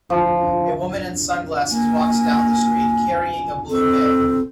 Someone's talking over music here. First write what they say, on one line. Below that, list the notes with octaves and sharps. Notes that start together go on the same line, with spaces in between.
A woman in sunglasses walks down the street, carrying a blue bag.
F3
A#3 G#5
C4 A4